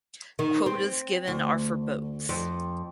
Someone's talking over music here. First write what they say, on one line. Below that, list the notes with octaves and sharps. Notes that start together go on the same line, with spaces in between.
Quotas given are for boats.
D#3
C4
D2
F2